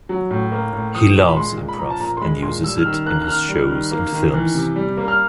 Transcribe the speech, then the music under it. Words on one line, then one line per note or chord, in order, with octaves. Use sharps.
He loves Improv, and uses it in his shows and films.
F#3
A2
A#3
A2
F3 D#6
A#2
B5
G#3 C6
A#2
B5
F3 A#5
A5
A#2 A#5
C6
G#3 B5
A#2 C6
G3 E6
F6
D#3 E6
A#3 F#6
F#6
D#3 F6
G3
D#3
A#3
D#3
E3
C3
G3
A#3
F6